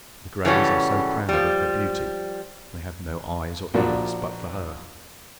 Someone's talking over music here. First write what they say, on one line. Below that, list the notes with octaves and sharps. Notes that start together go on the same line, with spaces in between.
The Greys are so proud of her beauty, they have no eyes or ears but for her.
C#3 E3 G3 A3 C#4 F#4
F3 G3
A#1 A#2 F#4 A#4 D5